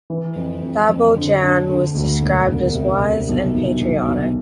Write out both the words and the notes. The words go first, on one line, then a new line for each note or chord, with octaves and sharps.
Babo Jan was described as wise and patriotic.
E3
F2
F2
F2
D3
D4
D3
D2
E1
E1
C3
C3
B1
B1
B1
B1